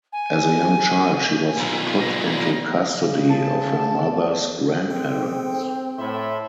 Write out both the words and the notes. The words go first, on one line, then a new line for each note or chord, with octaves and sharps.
As a young child she was put into custody of her mother's grandparents.
G#5
B1 A#2
A#6
C#3
A5
C4 G#4 A4 G5
A2 E5 B5 C6